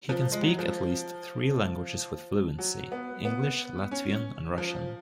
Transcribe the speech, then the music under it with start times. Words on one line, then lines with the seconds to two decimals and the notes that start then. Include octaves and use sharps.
He can speak at least three languages with fluency: English, Latvian, and Russian.
0.09 F3
0.32 G#3
0.42 F#3
0.59 F3
2.59 F#3
2.92 B3
3.25 B3
3.91 C#4
4.58 F3